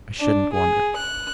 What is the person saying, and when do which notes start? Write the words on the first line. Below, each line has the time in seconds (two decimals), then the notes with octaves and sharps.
I shouldn't wonder!
0.20 D4
0.54 G#4
0.95 F#6